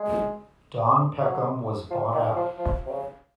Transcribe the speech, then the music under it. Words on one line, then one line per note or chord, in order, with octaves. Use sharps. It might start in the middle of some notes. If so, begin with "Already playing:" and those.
Don Peckham was bought out.
Already playing: G#3
F#3
F3
D#3
F3
F3
C3
C#3